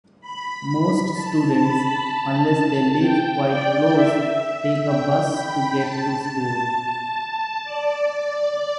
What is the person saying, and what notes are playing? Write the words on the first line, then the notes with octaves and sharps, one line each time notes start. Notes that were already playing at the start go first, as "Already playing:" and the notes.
Most students, unless they live quite close, take a bus to get to school.
B5
A5
B5
A5
G5
D5
E5
E5
G5
B5
A5
A5
D5